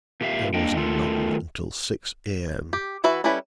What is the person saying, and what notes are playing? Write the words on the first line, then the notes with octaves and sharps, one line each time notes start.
There was none until six A.M.
A#2 G4 E5 F5
A#3 D4 D#5 G5
D#3 A3 F4 A4
G4
E3 F#4 B4 E5
G3 C#4 E4 A4 B4